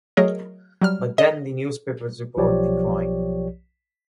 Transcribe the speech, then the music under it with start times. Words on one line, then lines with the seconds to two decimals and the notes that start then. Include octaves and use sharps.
But then the newspapers report the crime.
0.17 F#3 A3 G#4 A#4 C#5 D#5
0.82 F#3 G3 F6
1.18 D#5
2.37 B1 F3 G4 C#5 D5